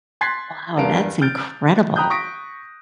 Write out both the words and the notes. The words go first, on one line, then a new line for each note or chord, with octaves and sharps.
Wow, that's incredible.
C6 F#6 G#6 A6 B6 C7
E2 G2 A#4 F5 A5 D7
F6 G6 A6 D7
G5 A#5 B5 D#6 F#6 G6
C#6 D#6 A#6 B6 D7